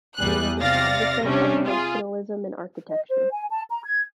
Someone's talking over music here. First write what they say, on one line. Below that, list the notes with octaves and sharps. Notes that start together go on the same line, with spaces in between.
He was an advocate of functionalism in architecture.
E2 G3 G#4 F#6
C3 D5 F5 A6 A#6
C3 G3 C#4 D4
F4 G#4
D#5
C5
G#5
A5
A#5
G#6